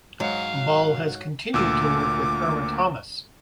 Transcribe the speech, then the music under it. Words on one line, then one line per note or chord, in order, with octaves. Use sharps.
Ball has continued to work with Irma Thomas.
G#2 F#3 F5
D2 A#2 D6 E6